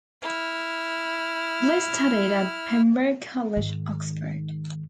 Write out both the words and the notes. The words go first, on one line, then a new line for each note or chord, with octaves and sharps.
Bliss studied at Pembroke College, Oxford.
E4 F6
G#2 D#3